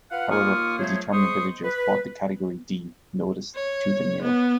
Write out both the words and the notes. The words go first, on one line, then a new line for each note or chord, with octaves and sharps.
However the determined villagers fought the Category "D" notice tooth and nail.
F4 B4 F5 F#5
D#2 A#3 F4 C#6 D#6 F6
F3 F#3 A3 G#4 C5 C#5
G#3 C5 C6 C#6 D#6
B4
C#5
B3